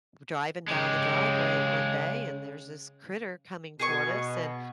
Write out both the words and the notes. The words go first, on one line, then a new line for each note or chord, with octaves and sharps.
driving down the driveway one day and there's this critter coming toward us, and
C#3 G#3 G4
B2 G#4 G#5 C#6